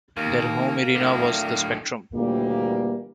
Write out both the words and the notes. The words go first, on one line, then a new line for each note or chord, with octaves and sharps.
Their home arena was the Spectrum.
D#2 A#3
A#3
A2 D3
D2 A#2 C#3 E3 G3 A#3